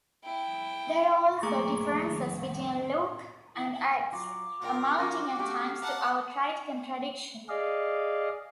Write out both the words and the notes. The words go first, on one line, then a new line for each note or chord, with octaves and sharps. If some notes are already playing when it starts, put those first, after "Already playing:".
There are also differences between Luke and Acts, amounting at times to outright contradiction.
E4 G5
A3 A#3 G#4 A#5 C#6 D6
F#3 F4 D6
A#2 F4 A#4 G5
F3 C#4 F#4 A#4
A3 C#4 G4 F5
F#5 A5 A#5
G#4 D5 D#5 F5